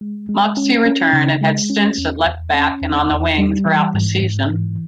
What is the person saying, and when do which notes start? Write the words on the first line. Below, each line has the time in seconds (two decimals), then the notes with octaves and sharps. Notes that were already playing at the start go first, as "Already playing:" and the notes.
Moxey returned and had stints at left-back and on the wing throughout the season.
0.01 G#3
0.29 G#3
0.57 C#4
0.86 C#4
1.13 C#3
1.41 G#3
1.70 C#4
1.98 E2
2.26 E2
2.54 C#4
2.82 E2
3.10 E2
3.38 G3
3.66 E3
3.94 G#2
4.23 G#2
4.50 E3